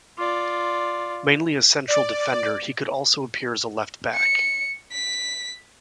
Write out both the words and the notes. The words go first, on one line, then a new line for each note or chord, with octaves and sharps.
Mainly a central defender, he could also appear as a left back.
F4 D5
D5
C#7
B6